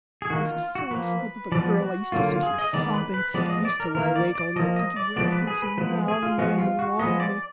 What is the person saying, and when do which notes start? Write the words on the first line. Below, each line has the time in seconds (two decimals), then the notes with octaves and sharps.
I was a silly slip of a girl; I used to sit here sobbing; I used to lie awake all night, thinking: 'Where is he now, the man who wronged me?
0.22 G#4
0.30 D#3 A#3 F#4
0.45 F4
0.75 F#4
0.91 F3 A#3 B4
1.52 F3 G#3 B3 D5
1.82 F#4
2.12 D3 F#3 A#3 F4
2.28 F4
2.43 G#4
2.58 D#5
2.73 D#3 G#3 B3 D5
2.94 B4
3.14 B4
3.34 F3 G#3 B3 D5
3.50 D#5
3.65 D5
3.80 A#4
3.95 D#3 A#3 A#4
4.16 D5
4.35 D5
4.56 F3 A#3 D#5
4.76 D#5
4.96 D5
5.16 F3 G#3 B3 D5
5.32 B4
5.47 G#4
5.62 B4
5.78 F3 G#3 B3 B4
6.08 G#4
6.23 F4
6.38 F3 G#3 B3 F#4
6.59 F4
6.79 F#4
6.99 F3 G#3 B3 D#5
7.20 D5